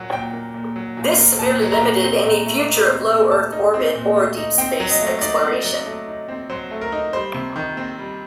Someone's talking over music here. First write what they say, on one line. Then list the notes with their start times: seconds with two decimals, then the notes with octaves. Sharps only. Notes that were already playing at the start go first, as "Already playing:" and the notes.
This severely limited any future of low earth orbit or deep space exploration.
Already playing: A#2 F#3 A#3 F#5
0.12 A#2 G5
0.33 A#3
0.54 A#2
0.76 F#3
0.97 A#2
1.18 A#3
1.39 A#2 A5
1.62 F#3
1.72 A#5
1.82 A#2
2.03 C4
2.24 A#2
2.46 A3
2.67 D#4
2.88 C4
3.09 A#2
3.31 A3 A5
3.52 D#4
3.74 C4
3.95 A#2
4.16 A3
4.37 D#4
4.58 C4 G5
4.80 F#3
4.90 D#5
5.01 A3
5.21 D#4 D5
5.43 C4
5.65 F#3
5.86 A3
6.07 D#4
6.28 C4
6.50 F#3 C5
6.71 A3
6.81 A#4
6.92 D#4
7.13 G3 C5
7.34 C3
7.56 D#3
7.77 C4
7.98 G3